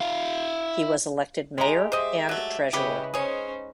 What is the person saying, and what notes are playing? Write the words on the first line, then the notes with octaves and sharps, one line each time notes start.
He was elected mayor and treasurer.
E4 F5
E3 G#3 G4 A#5
C5 D#5 E5 D6
F#3 A3
C#3 E4 G4 B4 C#5 D#5
C#4 D#4 G#4 C5 C#5